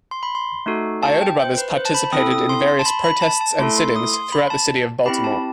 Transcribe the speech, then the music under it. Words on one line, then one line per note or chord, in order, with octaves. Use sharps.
Iota brothers participated in various protests and sit-ins throughout the city of Baltimore.
C6
B5
C6
A3 D#4 F#4 A4
A5
G5
C5
B4
C5
A5
B5
C4 E4 A4 D#6
D#6
C6
C6
A5
B5
B5
A5
A5
A3 E4 A4 C6
C6
D#6
C6
B5
A5
C4 E4 G4 B5
A5